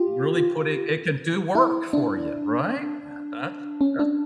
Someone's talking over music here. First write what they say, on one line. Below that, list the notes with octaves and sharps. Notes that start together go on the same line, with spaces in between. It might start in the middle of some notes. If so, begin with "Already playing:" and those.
really putting it can do work for you, right, and that's that's som
Already playing: F4 G4
E4
D4
C#4
D4